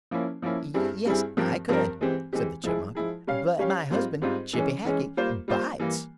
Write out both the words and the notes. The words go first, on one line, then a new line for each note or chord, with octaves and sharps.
"Yes, I could," said the Chipmunk, "but my husband, Chippy Hackee, bites!"
F3 A#3 C#4 E4
F3 A#3 C#4 E4
G2 G3 C4 E4 G#4
G2 G3 C4 E4 G#4
G2 F3 C4 G4 A#4
G2 F3 C4 G4 A#4
E3 G#3 C4 G4
E3 G#3 C4 G4
F3 G#3 E4 G#4
F3 G#3 E4 G#4
G3 C#4 G4 C#5 F5
G3 C#4 G4 C#5 F5
G#2 G3 C4 F4
G#2 G3 C4 F4
E3 G#3 C#4
E3 G#3 C#4
G3 A#3 F4 C5
G3 A#3 F4 C5
E3 G3 A#3